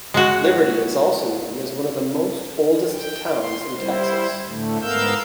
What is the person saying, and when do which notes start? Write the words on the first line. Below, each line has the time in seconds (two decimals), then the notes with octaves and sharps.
Liberty is also known as one of the most oldest towns in Texas.
0.14 G#3 F#4
2.92 G5
3.36 C6
3.76 G3 E4 C5
4.46 A2 D3 A3
4.81 G#2 B3 A#4 F5 E6 G6